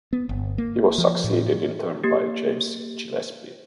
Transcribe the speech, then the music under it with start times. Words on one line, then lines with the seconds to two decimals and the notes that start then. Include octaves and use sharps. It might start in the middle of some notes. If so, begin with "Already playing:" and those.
He was succeeded in turn by James Gillespie.
0.13 B3
0.29 G1
0.58 A#3
0.98 F3
1.24 A2
2.04 A#3 G4